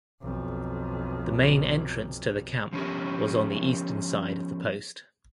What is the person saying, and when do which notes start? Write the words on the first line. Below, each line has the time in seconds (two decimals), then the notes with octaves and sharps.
The main entrance to the camp was on the eastern side of the post.
0.21 B1 F2
2.73 F3 B3 C#4 G4 A#4